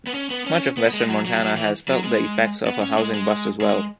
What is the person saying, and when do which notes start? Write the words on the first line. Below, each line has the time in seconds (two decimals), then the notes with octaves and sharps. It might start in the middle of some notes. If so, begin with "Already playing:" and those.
Much of western Montana has felt the effects of a housing bust as well.
0.07 B3
0.14 C#4
0.30 B3
0.46 C#4
0.77 B3
0.93 G#3
1.09 F#3
1.25 F#3
1.41 F#3
1.57 E3
1.88 F#3
2.04 G#3
2.67 B3
2.82 C#4
2.98 G#3
3.14 G#3
3.61 G#3